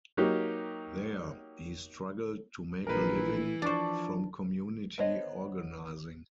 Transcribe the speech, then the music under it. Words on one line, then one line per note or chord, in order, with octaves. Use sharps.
There, he struggled to make a living from community organizing.
F#3 A#3 D#4 G4
A#1 E3 E4 A#4 B4
F3 D4 C5 D5 C#6
B3 D4 C5 C#5 D#5